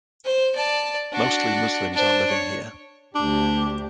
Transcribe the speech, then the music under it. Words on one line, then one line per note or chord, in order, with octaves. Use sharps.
Mostly Muslims are living here.
C5
D5 A5
D4 F#4
D4 C5
C#5
D2 D4 G4